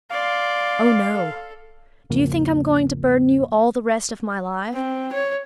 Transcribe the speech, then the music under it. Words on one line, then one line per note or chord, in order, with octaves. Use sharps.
'Oh no! Do you think I'm going to burden you all the rest of my life?
D5 F5 C6
A4
E2 G#2 C#3 F3 A#3
C4
C#5